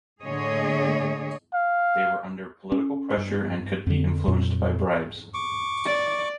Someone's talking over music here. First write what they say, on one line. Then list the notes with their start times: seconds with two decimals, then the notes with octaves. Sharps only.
They were under political pressure and could be influenced by bribes.
0.21 A2 D3 A#3 G#4 C#5 D#5
1.54 F5
2.72 C#4
3.17 G2
3.87 F2 D3
4.28 F2 A#2 F#3
5.34 C#6 D6
5.86 D5